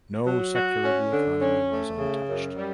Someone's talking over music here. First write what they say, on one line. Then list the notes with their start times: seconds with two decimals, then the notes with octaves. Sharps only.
No sector of the economy was untouched.
0.25 F#3
0.54 F#4
0.83 C#4
1.12 D3
1.41 C#4
1.70 A3
1.98 C#3
2.27 F#2
2.56 G3